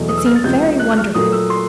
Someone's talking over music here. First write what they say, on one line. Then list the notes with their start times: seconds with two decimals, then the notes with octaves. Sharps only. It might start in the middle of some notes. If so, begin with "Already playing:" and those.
It seemed very wonderful!
Already playing: E2 B2 F#3 A3
0.09 D#6
0.17 E6
0.26 F6
0.35 A6
0.44 C#2 C3 F3 G6
0.79 F#6
0.97 F6
1.14 A#2 F#3 A3 D#6
1.32 E6
1.50 C6